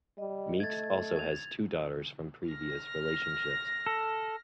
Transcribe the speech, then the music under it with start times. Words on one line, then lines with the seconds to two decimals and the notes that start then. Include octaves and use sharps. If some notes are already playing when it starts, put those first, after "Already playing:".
Meeks also has two daughters from previous relationships.
0.18 G3 D#5
0.60 A3 G#6 A6
1.16 G#6 F7
2.48 F6 A#6
3.86 A4